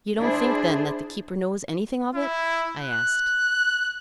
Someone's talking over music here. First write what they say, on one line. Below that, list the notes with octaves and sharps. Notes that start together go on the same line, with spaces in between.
"You don't think, then, that the keeper knows anything of it?" I asked.
D4 E4 G#4 C5
E4
F#6